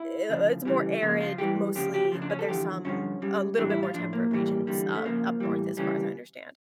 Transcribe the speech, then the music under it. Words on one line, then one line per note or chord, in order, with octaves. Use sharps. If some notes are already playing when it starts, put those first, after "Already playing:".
uh it's more arid, mostly, but there's some a little bit more temperate regions, uh, up north as far as I understand.
Already playing: E4
D2 C#3 F3
D2 C#3 E3 G3
C#2 C#3 F3 A#3
F4
G2 E3 G3 G4
D2 C#3 F3 G4
G4
C#2 C#3 F3
D4
C#4
A4
E2 D3 F3 G4
G2 D3 F3 C#4
C#2 C#3 G3
A2 E3 G3 D4
E4
F4
A2 F3 D4
A#3
A2 E3 G3
E2 D3 G3
A3
C#2 C#3 F3 A#3
A2 E3 G3
D2 C#3 E3 G3 C#4